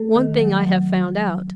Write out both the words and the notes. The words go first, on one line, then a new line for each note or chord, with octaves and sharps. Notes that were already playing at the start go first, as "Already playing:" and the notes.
One thing I have found out.
Already playing: A3 A4
D#3
F#3
F#3